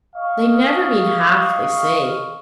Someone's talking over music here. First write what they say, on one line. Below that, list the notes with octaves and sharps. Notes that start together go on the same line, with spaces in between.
They never mean half they say.
D#5 F5 C#6